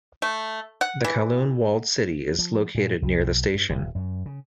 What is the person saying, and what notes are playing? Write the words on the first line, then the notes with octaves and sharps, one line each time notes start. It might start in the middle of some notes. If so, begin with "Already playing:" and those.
The Kowloon Walled City is located near the station.
A3
F#5
E3
F3
A#2
C2
B1
G2
D#1
F#2
C#3